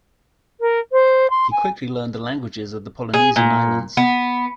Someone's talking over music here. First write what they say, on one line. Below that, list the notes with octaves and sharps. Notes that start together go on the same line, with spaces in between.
He quickly learned the languages of the Polynesian islands.
A#4
C5
C6
G#5
G#4
A#2
B3